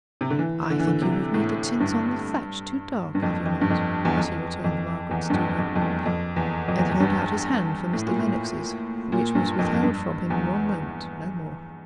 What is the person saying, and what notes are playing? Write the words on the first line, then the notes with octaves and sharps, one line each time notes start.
'I think you have made the tints on the thatch too dark, have you not?' as he returned Margaret's to her, and held out his hand for Mr. Lennox's, which was withheld from him one moment, no more.
C3
D3
E3
D3
E3
D3
C3
A2
G2
G2
F2
F2
G2
F2
E2
F2
F2
E2
G2
F2
F2
F2
E2
F2
E2
F2
E2
F2
G2
A2
A#2
A2
A#2
G2
F2
F2
G2
E2